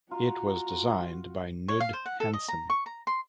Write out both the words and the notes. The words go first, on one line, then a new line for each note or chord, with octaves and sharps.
It was designed by Knud Hansen.
F4 F#4 A#5
C#5
F5
C5
F#5
A4
D#5
A#5
C#6
A#5
C6